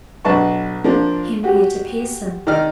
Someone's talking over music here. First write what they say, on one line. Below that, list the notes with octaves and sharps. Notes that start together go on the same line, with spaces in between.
"Henrietta Pierson."
B1 D4 B4 A5 C#6
F3 A#3 D4
F#4 G4
D#3 D#4 D5 F6